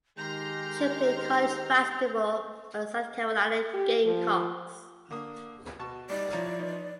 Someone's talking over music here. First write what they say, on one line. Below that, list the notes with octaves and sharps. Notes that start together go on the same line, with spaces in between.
She played college basketball for the South Carolina Gamecocks.
D#3 G#3 G4 A#5 C6 F6 G6
G4
F3
D3 A#3 D#6
B2 A5 C#6
G3 D#4 D5
F3 E4 C#5 A#5
E3 D#4